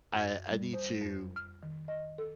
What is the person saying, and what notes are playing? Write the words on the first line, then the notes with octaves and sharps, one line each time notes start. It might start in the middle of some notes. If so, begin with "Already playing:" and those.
I I need to
F#2
G3
C5
F2
F6
D#3
D#5
A4